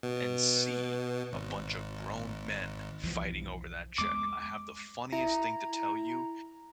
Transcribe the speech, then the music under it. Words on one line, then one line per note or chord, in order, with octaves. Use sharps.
and see a bunch of grown men fighting over that check. I have the funniest thing to tell you.
B2
G#1
B1 E2 F3
E2 G#3 D6
E4 A#5